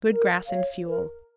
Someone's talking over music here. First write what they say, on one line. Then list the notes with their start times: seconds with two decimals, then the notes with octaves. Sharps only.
Good grass and fuel.
0.09 A#4
0.47 C#5 F5
0.87 A#4